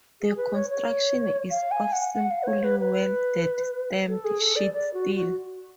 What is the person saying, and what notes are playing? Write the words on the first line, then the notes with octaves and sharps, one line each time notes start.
The construction is of simple welded stamped sheet steel.
G#4
B4
C#5
C#5
F5
G#5
F#5
F#5
F5
B4
C#5
B4
B4
A4
G#4
A4
D5
D5
F#4
F#4